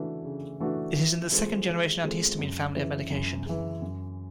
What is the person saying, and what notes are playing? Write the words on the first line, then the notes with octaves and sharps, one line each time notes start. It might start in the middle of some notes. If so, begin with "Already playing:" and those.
It is in the second-generation antihistamine family of medication.
Already playing: C#3 E3 A3 D4 F#4
C#3
E3 A3 D4 F#4
E3
G#3 C4 F4 A4
E3
G#3 C4 F4 A4
F#2
C#3 E3
F#2
C#3 E3
F#2